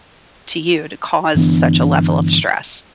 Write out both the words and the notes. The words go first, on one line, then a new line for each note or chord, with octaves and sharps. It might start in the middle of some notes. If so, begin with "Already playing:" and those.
to you to cause such a level of stress.
G1 E3 B3 D4